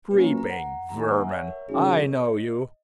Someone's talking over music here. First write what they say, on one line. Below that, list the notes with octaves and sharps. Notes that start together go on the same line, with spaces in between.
Creeping vermin, I know you!
A#2 F#3 A#3 C#4 B4
A#5
A#5
F#5
D#2 D#3 A#3 D#4 A#5
G#5
F#5
E5
C#5
A#4
G#1 F#2 C#3 G#4
A#4
C#5
D#5
D#5